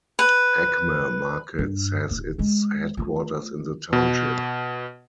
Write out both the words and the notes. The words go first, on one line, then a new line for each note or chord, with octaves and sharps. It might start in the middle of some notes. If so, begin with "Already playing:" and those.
Acme Markets has its headquarters in the township.
B4
G2
D1
G#3 B3
A3 F4
B2